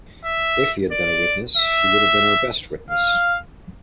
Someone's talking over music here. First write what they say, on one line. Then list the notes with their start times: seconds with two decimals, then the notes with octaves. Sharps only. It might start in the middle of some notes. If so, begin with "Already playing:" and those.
If he had been a witness, he would have been our best witness.
0.25 E5
0.92 D5
1.57 E5
2.91 F5